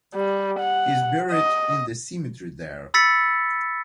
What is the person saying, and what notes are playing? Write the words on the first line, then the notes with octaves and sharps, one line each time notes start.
He is buried in the cemetery there.
G3
F#5
D#5
B5 E6 A6 B6 C#7